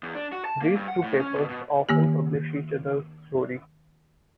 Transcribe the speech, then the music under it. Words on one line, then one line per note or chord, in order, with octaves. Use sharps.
These two papers often publish each other's stories.
E2
D4
F#4
A5
A#3
G2
F#5
A2
C#4
B2
B2
D#3 A#3 G4